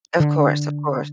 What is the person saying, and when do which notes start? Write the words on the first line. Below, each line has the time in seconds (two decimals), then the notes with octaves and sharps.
Of course, of course.
0.20 D3